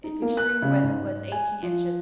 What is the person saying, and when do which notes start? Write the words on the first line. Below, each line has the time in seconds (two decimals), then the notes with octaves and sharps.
Its extreme width was eighteen inches.
0.04 D#4
0.22 A#3
0.37 F#6
0.62 C#3
0.83 G#2
1.32 G#5
1.62 F3